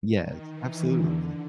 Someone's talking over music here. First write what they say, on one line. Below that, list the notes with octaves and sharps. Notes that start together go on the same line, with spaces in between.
Yes. Absolutely.
D#3
E3
D3